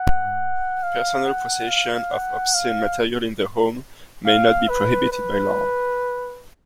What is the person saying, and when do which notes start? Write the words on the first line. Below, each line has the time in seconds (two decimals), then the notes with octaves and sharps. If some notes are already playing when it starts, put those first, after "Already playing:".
Personal possession of obscene material in the home may not be prohibited by law.
Already playing: F#5
0.83 F5
1.25 F#5
1.69 F5
2.12 F#5
2.54 F5
4.27 F5
4.69 B4
5.12 B4